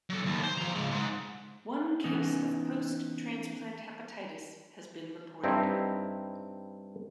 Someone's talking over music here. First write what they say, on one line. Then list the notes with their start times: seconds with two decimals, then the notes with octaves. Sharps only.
One case of post transplant hepatitis has been reported.
0.09 F#3 A4
0.25 D#2
0.43 C5
0.58 F3 A#5
0.74 G#2 C#3
0.91 G#2
2.04 E3 B3 C#4 D#4
5.44 G2 C4 D#4 E4